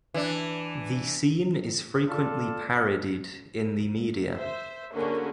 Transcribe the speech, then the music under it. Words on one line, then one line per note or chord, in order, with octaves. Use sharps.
The scene is frequently parodied in the media.
E3 D4
F4 A4 D5
C5 E5
D3 A#3 C#4 F#4 G#4 A#4